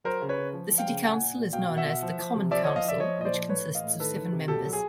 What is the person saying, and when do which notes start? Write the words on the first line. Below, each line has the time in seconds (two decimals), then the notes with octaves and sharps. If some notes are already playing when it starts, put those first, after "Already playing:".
The city council is known as the Common Council, which consists of seven members.
0.04 F#3 A#4 C5
0.22 C#3
0.29 B4 C#5
0.38 C#3
0.53 F3
0.70 F3
0.78 F5 G5
0.87 C#3
1.03 A#2 F#5 G#5
1.19 A#2
1.36 A#2
1.53 B2 F5 G5
1.69 B2
1.77 E5 F#5
1.85 B2
2.02 F3
2.19 F3
2.35 C3
2.51 F3 D5 E5
2.64 C#5 D#5
2.67 F3
2.76 D#5 F5
2.85 F3 D5 E5
3.00 F3 C#5 D#5
3.17 A#2 D#5
3.25 C5 D5
3.33 F3
3.39 C5
3.49 A2 B4 C#5
3.67 E3
3.75 D#5 F5
3.83 A2
3.99 D#3 A4 B4
4.16 D#3
4.32 C3
4.48 B2 G4 A4
4.65 F#3
4.73 G#4